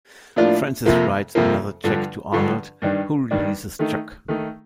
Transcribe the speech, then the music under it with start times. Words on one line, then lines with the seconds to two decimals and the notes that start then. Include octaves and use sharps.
Francis writes another check to Arnold, who releases Chuck.
0.36 A2 F3 A#3 D4 F4
0.86 F2 C3 F3 A#3
1.35 F2 C3 F3 A#3
1.84 G2 D3 F3
2.32 G2 D3 F3
2.82 G2 D#3 G3 D4
3.31 G2 D#3 G3 D4
3.79 D#3 A3 D#4
4.28 D#3 A3 D#4